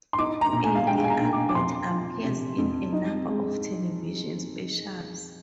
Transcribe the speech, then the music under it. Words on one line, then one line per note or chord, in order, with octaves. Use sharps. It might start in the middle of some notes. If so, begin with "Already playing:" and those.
Eddie Albert appears in a number of television specials.
C6
D#4 D6
A#5
A#2
G#5
F5
G#3 G5
G#5
A#5
A#2
D6
D6
F2 C6
F3
C3
F2
D#4
G#3